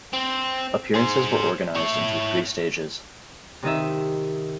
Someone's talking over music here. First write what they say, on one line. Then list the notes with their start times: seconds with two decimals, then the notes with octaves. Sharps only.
Appearances were organized into three stages.
0.13 C4
0.94 G#4 C5
1.75 E4 C#5
3.63 C3 D#3 D#4 D#5 E5